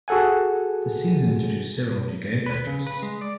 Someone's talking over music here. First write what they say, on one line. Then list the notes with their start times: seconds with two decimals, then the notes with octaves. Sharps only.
The season introduced several new gameplay twists.
0.08 F#4 G#4 A4 F#5 G#5
2.46 B4
2.67 C#3
2.87 B4
3.02 G#3
3.21 D5